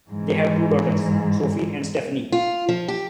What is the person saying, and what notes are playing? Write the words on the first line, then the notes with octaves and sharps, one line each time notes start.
They have two daughters, Sophie and Stephanie.
G#2 E3
F4
F3
G4